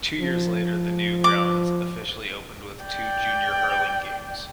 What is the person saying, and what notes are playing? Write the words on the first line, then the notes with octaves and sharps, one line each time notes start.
Two years later the new grounds officially opened with two junior hurling games.
F3
D6
D5 G5